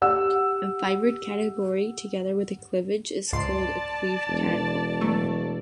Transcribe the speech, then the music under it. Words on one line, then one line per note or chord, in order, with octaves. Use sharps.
A fibred category together with a cleavage is called a "cleaved category".
G4 F#5 E6
C#2 G#2 D5 A5 C6
E1
F#3 A3